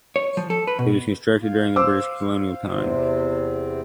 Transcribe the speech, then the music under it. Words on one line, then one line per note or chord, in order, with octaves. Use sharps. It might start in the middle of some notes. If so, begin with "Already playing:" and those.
It was constructed during the British colonial time.
C#5
F3
A4
B4
B2
F5
C5 D6 E6
E2 C3 C4